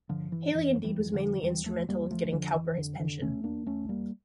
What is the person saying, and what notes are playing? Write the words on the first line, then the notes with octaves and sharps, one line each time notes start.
Hayley indeed was mainly instrumental in getting Cowper his pension.
G2 D3 F3
E3
F2 E3
E3 G3
F2
D3 F3
E2 E3 G3
F3 A3
E2 G3 A#3
F3 A3
F2 D3 F3
E3
F2 D3
D3
E2 A3 C#4
A#3 D4
E2 A3 C#4
G3 A#3